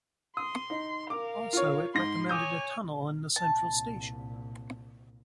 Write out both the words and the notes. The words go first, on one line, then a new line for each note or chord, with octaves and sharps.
Also it recommended a tunnel and a central station.
C6 D#6
D#4
A#4 F5 D6
F4 C#5
G#2 C6 A#6
C#5 G#5 D6 D#6 G6
C2 A#2 A5